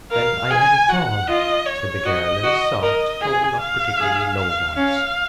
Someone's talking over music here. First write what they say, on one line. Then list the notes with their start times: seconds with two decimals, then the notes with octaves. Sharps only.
"Then I heard it fall," said the girl, in a soft, though not particularly low voice.
0.11 A#4 F5
0.50 G#4 G#5
0.89 F#4 F#5
1.28 F4 D#5
1.66 C#5
2.05 F#4 D#5
2.43 F#4
2.82 A#4 D#5
3.21 G#4 G#5
3.60 F5
3.98 G#4
4.37 F5
4.76 C#4 F5